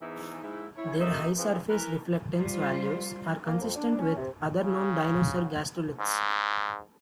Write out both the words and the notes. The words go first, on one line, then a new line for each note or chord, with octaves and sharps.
Their high surface reflectance values are consistent with other known dinosaur gastroliths.
E2 G#2 E3 D#4 E4
G#2 E4
E4 C#5
F#2 A3 A#3 D#4 D#5 E5
C#3 E3 F3 C4 D#4 B4
E3 A#4 B4
G3 F4 C5
A#3
F2
D4
C#4
C3
C#3
G#2